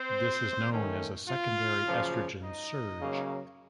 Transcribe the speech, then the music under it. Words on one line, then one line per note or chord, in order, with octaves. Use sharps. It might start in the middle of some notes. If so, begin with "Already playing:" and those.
This is known as a "secondary oestrogen surge".
Already playing: C4 C5
D#3 A3 C#4
F4 F5
F#2 C#3 F3 A#3
D#4 D#5
C#3 F#3 A#3